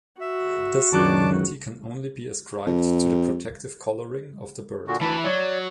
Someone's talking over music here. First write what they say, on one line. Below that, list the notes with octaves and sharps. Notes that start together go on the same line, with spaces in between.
This immunity can only be ascribed to the protective coloring of the bird.
F#4 E5
C#2 F#2 D#3 F#3 D4 A5 D6
F2
A#2 D3 F#4
D2 E3 B4 A5 B5
F#3 C#5 D5